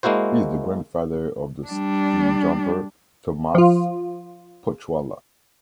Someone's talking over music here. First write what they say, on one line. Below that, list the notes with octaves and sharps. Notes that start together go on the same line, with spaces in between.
He is the grandfather of the ski jumper Tomasz Pochwała.
G#3 A#3 E4 F#4 C5
G3 D4
F3 F4